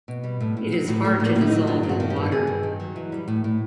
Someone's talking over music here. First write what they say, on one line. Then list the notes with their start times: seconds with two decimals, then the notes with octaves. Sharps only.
It is hard to dissolve in water.
0.08 B2
0.24 G3
0.40 A2
0.57 A2
0.72 F#3
0.88 A2
1.04 F#3 A3
1.20 A2
1.26 A#3
1.35 A2
1.41 E4
1.47 D#4
1.52 F#3
1.67 G2 F4
1.83 G2
1.89 F#4
2.00 D#3
2.10 G4
2.16 G2
2.31 G2 G#4
2.47 G2
2.63 D#3
2.80 F#3
2.96 E3
3.12 G3
3.28 A2
3.44 A2